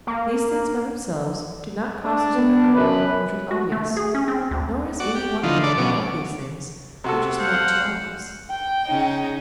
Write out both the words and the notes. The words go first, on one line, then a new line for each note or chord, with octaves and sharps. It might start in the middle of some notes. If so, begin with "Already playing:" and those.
These things by themselves do not constitute a girl which is obvious; nor is any one girl without these things which is not too obvious.
A#3
D4
B3
F#2 B4
F#4
A3
G#4
C#4
C4
D2
F#4 D5
G4
D3 E3 F3 D#4 F4
D4 A4 D5
B2 F#3 C#4 D6
C3 F#4 A4
C5 F5 F#5
G5
C#3 C#4 D#4